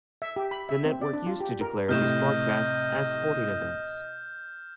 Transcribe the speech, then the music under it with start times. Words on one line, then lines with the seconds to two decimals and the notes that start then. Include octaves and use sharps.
The network used to declare these broadcasts as sporting events.
0.22 E5
0.36 G4
0.51 B5
0.69 E5
0.85 C4
1.01 D5
1.13 D4
1.26 F4
1.41 G4
1.61 A#4
1.89 A2 C3 D#5 F6 G6 E7